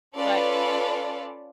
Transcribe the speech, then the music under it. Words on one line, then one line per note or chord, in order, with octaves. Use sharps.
but I
C#4 F4 A4 B4 D5